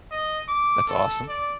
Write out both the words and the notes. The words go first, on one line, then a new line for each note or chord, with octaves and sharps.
That's awesome.
D#5
D6
A4
D5